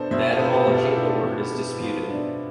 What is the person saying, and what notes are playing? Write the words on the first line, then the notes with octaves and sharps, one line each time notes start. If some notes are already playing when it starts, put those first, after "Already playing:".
The etymology of the word is disputed.
Already playing: B2 B3 D4 A4 C5 E5
B2 C5 E5
F4 A4
B3
C5
G4 B4
B2
F4 A4
A4
D4 E4 G4
B2
B3
E4
B2 F4
D4